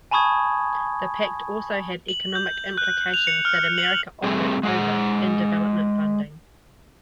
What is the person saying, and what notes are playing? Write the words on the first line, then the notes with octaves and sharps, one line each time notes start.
The pact also had economic implications that America offered over in development funding.
G#5 A5 B5 C#6 D#6 G#6
F#7
G6
F#6
F7
C#7
F6
F#7
G3 A3 C4 G#4
G#3 G#4 F#5